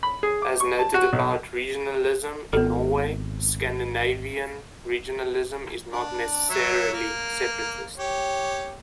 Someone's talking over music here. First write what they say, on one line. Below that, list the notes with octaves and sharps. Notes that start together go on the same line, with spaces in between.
As noted about regionalism in Norway, Scandinavian regionalism is not necessarily separatist.
B5
G#4
D6
C#6
A5
F#4
B1
G#1 B3 A4
D4
F#3 C#5 E5
A#3
G4 C#5